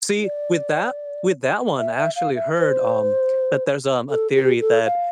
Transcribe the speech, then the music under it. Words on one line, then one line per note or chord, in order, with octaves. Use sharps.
See, with that with that one, I actually heard, um, that there's, um, a theory that,
D5
E5
E5
F5
E5
C5
A4
G4
A4
F5